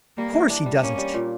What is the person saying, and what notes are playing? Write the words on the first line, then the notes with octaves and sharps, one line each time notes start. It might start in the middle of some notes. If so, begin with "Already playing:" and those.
Of course he doesn't.
G3 A#3
E3
D4
G3
A#3 C#4
G3
A#2